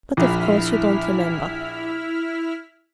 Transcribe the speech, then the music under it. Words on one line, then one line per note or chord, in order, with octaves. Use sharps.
But of course you don't remember.
A#1 E4 F6 B6